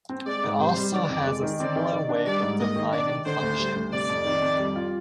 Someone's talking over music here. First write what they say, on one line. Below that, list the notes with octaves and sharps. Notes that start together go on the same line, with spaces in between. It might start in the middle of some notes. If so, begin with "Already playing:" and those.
It also has a similar way of defining functions.
C4
G#3 D5
G#2
C3 C5
G3
D#3 D5
F2
G#3
D#3
C4 D5
D#3
D#3
D4
G3 D5
G#2
A#3 D#5
D#3
D4 D5
D#3
D3 C5
D2
G3
D2
C3 D5
F2
D#3
F2
G3
F4